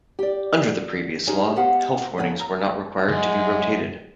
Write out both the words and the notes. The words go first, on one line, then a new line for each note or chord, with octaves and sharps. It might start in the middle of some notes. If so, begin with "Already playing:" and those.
Under the previous law, health warnings were not required to be rotated.
G4 D5
C#4 D#4 G4 G#4 C5 D#5
G#3 B3 G4 C5 F5 F#5
C#3 A#3 B3 C#4
A#5
C#2 F#2 G#3